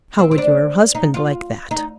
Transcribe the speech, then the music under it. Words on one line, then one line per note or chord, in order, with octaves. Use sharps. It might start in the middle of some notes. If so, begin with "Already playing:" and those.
"How would your husband like that?"
C4
C4
D4
D#4
F4
D#4